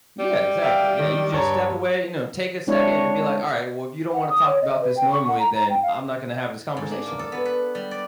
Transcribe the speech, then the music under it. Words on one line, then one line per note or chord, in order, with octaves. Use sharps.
Yeah, exactly, yeah, you just step away, you know, take a second and be, like, "All right, well, if you don't wanna talk about this normally, then I'm not gonna have this conversation with you."
G3
E5 F5 G5
D#3
G2 C#5 A#5
G#3 C4 D4 E4 C#5
F#5
D#6
C#5
D#5
B4
G5
C#6
F#5
A#5
A#5
G5
F5
G#2
D4
A#3
A4
B3
B4
G3
D5